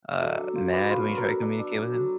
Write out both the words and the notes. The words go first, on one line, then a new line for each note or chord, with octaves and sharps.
uh, mad when you try to communicate with him?
F#3 A4
D4
F4
D4 B4
B3 F4
F#3 F#4
A#4
F#3 A4
D4
D4
F#3
F#3